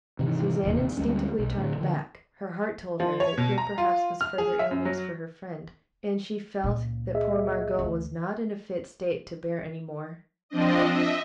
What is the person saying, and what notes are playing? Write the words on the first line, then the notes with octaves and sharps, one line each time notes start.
Suzanne instinctively turned back; her heart told her that here perhaps was further ill news for her friend, and she felt that poor Margot was not in a fit state to bear any more.
G#2 C3 D#3 E3
E1 A1 D#2 C3
D2 G3 G#3 C#4
B1
A2 D3
D3 F3
F3
C#5
B2
A#5
F4
F6
G#4
E5
F#2
F#3
C#2 A#2
G#4 D#5 E5
D2
F3 C4 D4 D#5
D#5 E5